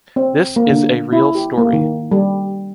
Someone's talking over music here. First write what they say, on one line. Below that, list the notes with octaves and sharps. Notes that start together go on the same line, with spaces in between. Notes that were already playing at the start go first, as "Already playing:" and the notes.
This is a real story.
C4
A#3
D3
E4
G4
A#3
D#3
G3